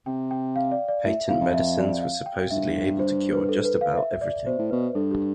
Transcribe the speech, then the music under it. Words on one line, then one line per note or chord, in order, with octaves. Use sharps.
Patent medicines were supposedly able to cure just about everything.
C3 G5
G5
F5
D5
D5
A2 E5
E2 F5
F2
E5
D5
F5
G5
G2 E5
C5
B4
A4
B4
F5
E5
D5
B2 C5
A2
B2 B4
G2 A4
G4